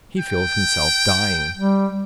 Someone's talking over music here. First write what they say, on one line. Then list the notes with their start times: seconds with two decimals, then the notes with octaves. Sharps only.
He feels himself dying.
0.19 G5
1.57 G3